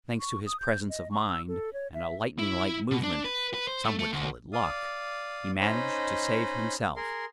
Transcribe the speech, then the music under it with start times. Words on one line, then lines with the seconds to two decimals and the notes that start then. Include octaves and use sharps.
Thanks to his presence of mind and a lightning-like movement -- some would call it luck -- he managed to save himself.
0.20 C#6
0.46 D#6
0.60 G6
0.89 D#5
1.11 C#6
1.29 E6
1.48 A4
1.73 C#5
1.94 E5
2.39 E4
2.91 B2
3.03 D4
3.25 B4
3.54 B4
3.68 C5
3.85 A3
3.99 A3
4.13 D2
4.53 D5 F5 D#6
5.60 C#4 D#4 C5 D#5 B5
6.96 G#4 A#4 C6